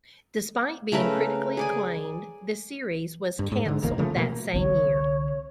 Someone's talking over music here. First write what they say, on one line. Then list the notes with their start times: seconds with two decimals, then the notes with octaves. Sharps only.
Despite being critically acclaimed, the series was canceled that same year.
0.92 C#3 A3 A#4 B4
1.57 G#4 D5 G#5
3.39 G2
3.52 G#2
3.65 G#2 D3
3.82 E1 A1 D#3 A#3
3.98 C#3 F3 G3 A3
4.16 B2 A3 A#3
4.53 C2 D3 C#5